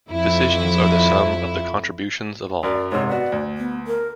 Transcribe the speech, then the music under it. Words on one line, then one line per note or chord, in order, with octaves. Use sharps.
Decisions are the sum of the contributions of all.
F2 E4
F#2 A#4 D5
G#2 C3 C#5
B3 F#4 D5
D2
B3
A#4